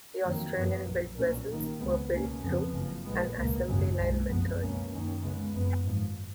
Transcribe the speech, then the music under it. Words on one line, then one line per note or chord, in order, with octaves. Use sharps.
The Australian-built vessels were built through an assembly-line method.
F2 D#3 F#3 A#3
F#2 F3 B3
A#1 A#2 F#3
B1 A#2 F#3 A#3 C#4
D#2 D#3 A#3
C#2 C#3 G#3 B3
C#2 B2 A#3 C#4
F2 C#3 F3 B3
F#1 F2 C#3 F3
A#1 A#2 G#3 B3
C#2 B2 A#3
G#1 F#2 C#3 F#3
B1 A#2 G#3
F#1 F2 F3 B3
C#2 B2 A#3 C#4
F#2 D#3 A#3 C#4
C#2 C#3 G#3 B3
F#1 F#2 F3 B3
G#1 G#2 F3